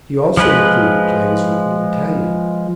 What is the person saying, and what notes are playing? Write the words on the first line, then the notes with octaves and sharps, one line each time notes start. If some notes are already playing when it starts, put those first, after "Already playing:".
He also included plays written in Italian.
F3 G#3 B4